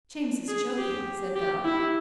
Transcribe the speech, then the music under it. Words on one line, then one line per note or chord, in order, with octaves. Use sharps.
"James is joking," said Bell.
G#4
G4
G4
E4